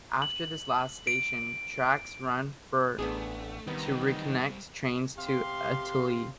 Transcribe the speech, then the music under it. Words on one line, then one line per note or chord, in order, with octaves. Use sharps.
After this last station, tracks run for to reconnect trains to "Auteuil".
F#7
D7
A1 A3 B3 D4 G#4
E2 D#3 G3 B3 C4 D#4
C3 G4 F5 C6